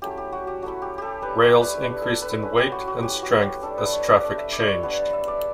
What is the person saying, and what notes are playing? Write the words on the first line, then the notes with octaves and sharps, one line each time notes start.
Rails increased in weight and strength as traffic changed.
F#3 A3 C#4 E4 G4
G4
F#4
G4
F#3 A3 C#4 E4 F#4
G4
G4 A4
G3 D4 B4
C#5
B4
G3 D4 B4
A4
B4
A3 C#4 E4
G4
F#4
F#4
A3 C#4 E4 G4
F#4
G4
A3 D4 A4
B4
C#5
D5
A3 D4 D5
E5
D5
C#5
G3 B3 D4 B4
E5
D5